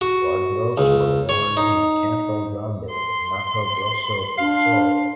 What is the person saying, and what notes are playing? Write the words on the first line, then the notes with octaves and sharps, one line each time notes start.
Quadros was born in Campo Grande, Mato Grosso do Sul.
F#4
C#2
C#5
D#4
C6
D4 F5